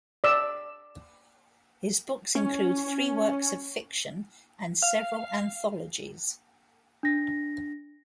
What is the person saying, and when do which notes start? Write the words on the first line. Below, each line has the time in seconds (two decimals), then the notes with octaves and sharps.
His books include three works of fiction and several anthologies.
0.24 D5 E6
2.35 C#4
4.82 F5
7.03 D4 A#6